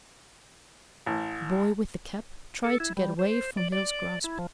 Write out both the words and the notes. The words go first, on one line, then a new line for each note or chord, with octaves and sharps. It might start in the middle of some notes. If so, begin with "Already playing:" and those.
The boy with the cap tried to get away from Hale's grasp.
A1
A4
E4
G3
C5
D5
D5
E4
F3